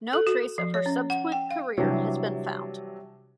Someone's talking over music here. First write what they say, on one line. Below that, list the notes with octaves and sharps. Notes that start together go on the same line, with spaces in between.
No trace of her subsequent career has been found.
A4
F#4
F3
C#5
C#4
F#5
G5
F5
C3 E3 F#3 G3 D4